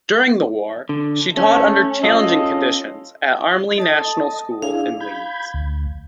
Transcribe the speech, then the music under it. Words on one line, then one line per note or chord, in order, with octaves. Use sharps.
During the war she taught under challenging conditions at Armley National School in Leeds.
D3
A3 C#4
C#4 F4 A4 D#5
A4 D#5 A5 D#6
D4 E4 G#4 F5
B5 G6 G#6
D2